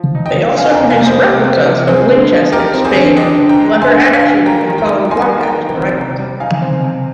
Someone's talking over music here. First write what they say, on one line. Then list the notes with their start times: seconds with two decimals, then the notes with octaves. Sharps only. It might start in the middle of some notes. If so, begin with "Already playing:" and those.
They also reproduce replicas of Winchester's famed lever-action and falling-block action rifles.
Already playing: F3
0.15 D#4
0.26 D#5 G5
0.37 F3
0.58 C4 F5 G#5
0.70 G#5
0.74 G5 A#5
0.79 C3
0.90 F5 G#5
1.01 G3
1.06 C5 D#5
1.23 C3 G4
1.44 C4
1.66 C3
1.87 C4 G#4
2.09 D3
2.31 F3
2.52 D#4 G4 A#4
2.74 C4
2.84 G#4 C5
2.95 D3
3.17 D4 D#5 G5
3.38 D3
3.49 G5 A#5
3.60 G#3
3.81 D3 G#5 C6
4.03 D4
4.14 F5 G#5
4.25 D3
4.46 A#3 G5 A#5
4.68 D#3
4.78 G5 A#5
4.89 G3
5.11 D#4 G#5 C6
5.32 A#3
5.43 G5 A#5
5.54 D#3
5.75 C4
5.97 C3
6.19 G3
6.40 D#4 F5 G#5
6.62 C4
6.83 C3